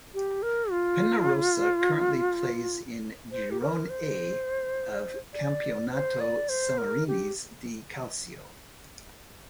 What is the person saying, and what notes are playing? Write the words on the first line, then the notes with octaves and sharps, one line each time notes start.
Pennarossa currently plays in "Girone A" of Campionato Sammarinese di Calcio.
G4
A#4
F4
C5
G4
A#4
C5
D5
C5
D5
C5
A#4
G4